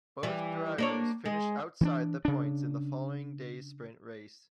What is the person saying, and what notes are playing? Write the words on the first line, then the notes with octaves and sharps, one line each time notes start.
Both drivers finished outside the points in the following day's sprint race.
E3 G3
A#3 D4 C#5
G#3
E3 C4 D4
C#3 D4